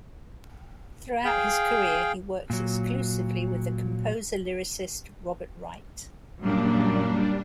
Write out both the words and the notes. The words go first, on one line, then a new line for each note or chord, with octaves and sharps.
Throughout his career he worked exclusively with the composer-lyricist Robert Wright.
G#4 F5 G5
A#2 F#3
F#2 A#2 G3 A#3 D4